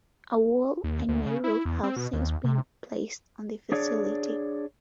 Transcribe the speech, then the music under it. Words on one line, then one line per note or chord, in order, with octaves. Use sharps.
A wall and new roof have since been placed on the facility.
D#2
D2
C#3
E4
E2
C4
B2
D#2
C3
D4 G#4 C#5 D5